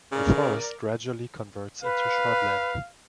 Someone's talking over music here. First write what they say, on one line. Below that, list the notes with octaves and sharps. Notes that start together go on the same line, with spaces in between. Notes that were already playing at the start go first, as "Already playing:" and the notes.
The forest gradually converts into shrub land.
C#3 A#4 D5
B4 F5